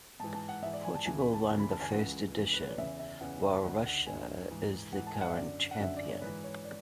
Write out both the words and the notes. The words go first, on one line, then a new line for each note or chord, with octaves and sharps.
Portugal won the first edition, while Russia is the current champion.
G#2 E3 A5
A5
F#5
G#2 E3 E5
D5
G#5
A5
D2 C#3 E3 G#5
B5
A5
D2 C#3 E3
B5
A5
G#5
C#2 C#3 E3 F#5
C#2 C#3 E3
B4
C#5
D5
E2 C#3 E3 E5
E5
E2 C#3 E3 F#5
E5
D2 D3 F#5
F#5
D2 D3 G#5
G#2 E3
G#2 E3 F#5
A5
G#5
F#5
E5
F#2 D3 D5
F#5
F#2 D3 E5
D5
C#5
G#2 E3 B4
C#5
D5